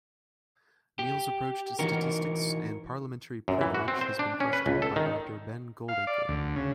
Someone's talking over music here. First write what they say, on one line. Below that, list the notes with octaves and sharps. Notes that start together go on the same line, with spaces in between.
Neill's approach to statistics and parliamentary privilege has been questioned by Doctor Ben Goldacre.
G4
E3 D#4 F#4 A#4
F#2
E3
F#4
C4
C5
D4
C#4
B4
C#2
A4
D#3
F5
D5
D2
C#3